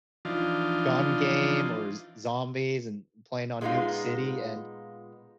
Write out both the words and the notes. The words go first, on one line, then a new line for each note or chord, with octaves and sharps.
Gun game or Z Zombies!!! and playing on Nuke City and
E3 F3 D4 D#4 F4
A#2 G#3 B3 D#4 F4 F5